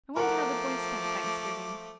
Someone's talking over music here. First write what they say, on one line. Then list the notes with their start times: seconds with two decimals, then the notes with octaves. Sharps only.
I wonder how the boys spent Thanksgiving.
0.16 F3 A3 A#4 F#5 D6